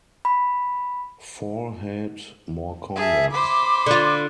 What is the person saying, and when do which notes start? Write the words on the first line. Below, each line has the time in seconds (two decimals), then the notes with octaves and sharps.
Forehead more convex.
0.25 B5
2.96 G#4 E5 A5
3.31 C5 B5 D6
3.86 D3 F4